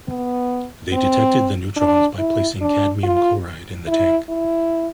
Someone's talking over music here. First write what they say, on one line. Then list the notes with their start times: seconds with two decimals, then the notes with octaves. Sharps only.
They detected the neutrons by placing cadmium chloride in the tank.
0.08 B3
0.93 C4
1.77 D4
2.19 E4
2.61 D4
3.04 F4
3.88 E4
4.29 E4